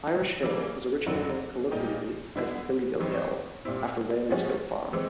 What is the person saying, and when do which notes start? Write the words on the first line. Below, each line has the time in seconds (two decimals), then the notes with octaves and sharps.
Irish Hill was originally known colloquially as "Billy Goat Hill" after Whalen's goat farm.
0.41 C#3 E3 G3 A#3
1.06 F2 D3 F#3
1.71 A#2 G3 A#3 D#4 G4
2.36 D3 G3 B3 E4
3.00 G2 E3 G3 C4 D#4
3.65 A#2 G3 C4 E4
4.29 C3 F3 G#3 C#4 F#4
4.93 E3 G#3 C4